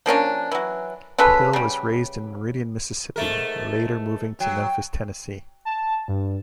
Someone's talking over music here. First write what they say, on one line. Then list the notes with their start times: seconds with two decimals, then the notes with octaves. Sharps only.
Hill was raised in Meridian, Mississippi, later moving to Memphis, Tennessee.
0.06 F3 A#3 C#4 D4
0.52 E3 F#3
1.19 C#3 F4 A4 B4
1.53 C#3 G3
3.16 G#2 A3 A#4
4.40 F#3 G5
5.65 A5
6.08 G2